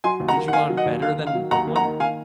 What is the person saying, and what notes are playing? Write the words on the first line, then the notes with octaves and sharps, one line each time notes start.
Digimon better than Pokémon?
F#3 G#5 C6
D#2
F#5 A#5
A#3
F#5
D#3 F5 G#5
F#3
D#5 F#5
D#2
A#3 F5
D#3
F5
F#3
D#2 F#5 A#5
A#3
F#5 A#5
D#3
A#3 F5 G#5